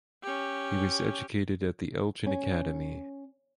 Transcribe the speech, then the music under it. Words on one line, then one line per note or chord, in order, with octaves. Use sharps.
He was educated at the Elgin Academy.
C#4 G4
C#4